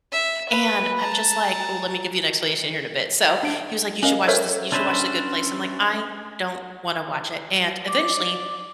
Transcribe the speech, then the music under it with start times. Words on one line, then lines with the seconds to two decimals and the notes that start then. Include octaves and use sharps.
And I'm just like ooh, let me give you an explanation here in a bit. So, he was like, "You should watch this you should watch The Good Place." I'm like, "I don't wanna watch it." And eventually,
0.12 E5
0.49 B4
0.97 A5 A#5
3.43 D4 D7
4.03 C#4 A#4 D#5 F5
4.28 A4 A#4 C5 C#5 E5
4.72 C#4 D4 B4 C5 E5
7.89 D5